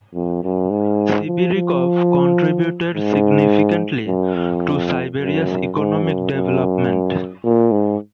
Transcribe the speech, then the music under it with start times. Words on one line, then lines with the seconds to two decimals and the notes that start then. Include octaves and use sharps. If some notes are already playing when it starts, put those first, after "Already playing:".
Sibiryakov contributed significantly to Siberia's economic development.
0.14 F2
0.43 F#2
0.70 G#2
1.27 F3
1.54 F3
2.95 G#2
4.07 F#2
4.35 F2
5.19 F#2
5.75 G#2
6.03 F#2
6.32 F#2
7.44 A#2
7.71 G#2